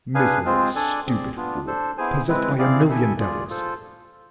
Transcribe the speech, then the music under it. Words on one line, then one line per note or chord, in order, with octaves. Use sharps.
Miserable, stupid fool, possessed by a million devils!
D4 G#4 B4 F5 G#5
G#3 C4 F4 G#4 C5
D4 A4 D5 G#5
C4 G#4 D5
B3 D4 F4
D4 A4 C5
B3 E4 G#4 C5 G#5
G#3 C4 E4 B4
C4 E4 G#4 D5 F5
E4 A4 E5 G#5
F4 G#4 D5
F4 A4 C5